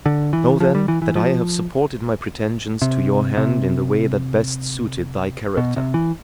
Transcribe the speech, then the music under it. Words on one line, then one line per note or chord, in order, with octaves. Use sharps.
Know then, that I have supported my pretensions to your hand in the way that best suited thy character.
D3
E3
F3
G3
E3
E3
F3
C3
C3
B2
C3
E3